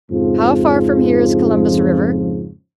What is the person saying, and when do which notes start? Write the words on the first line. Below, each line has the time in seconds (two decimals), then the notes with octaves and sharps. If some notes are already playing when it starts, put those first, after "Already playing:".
How far from here is Columbus River?
0.10 F2 G#2 C#3 F3